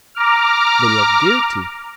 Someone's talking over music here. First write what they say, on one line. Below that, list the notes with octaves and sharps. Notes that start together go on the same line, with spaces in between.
"Then you are guilty."
A#5 D6 F6